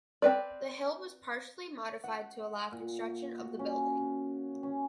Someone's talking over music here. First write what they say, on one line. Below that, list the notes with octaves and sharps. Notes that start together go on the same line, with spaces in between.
The hill was partially modified to allow construction of the building.
C4 B4 D5
F#5
A#2
F#4
C#4
C#4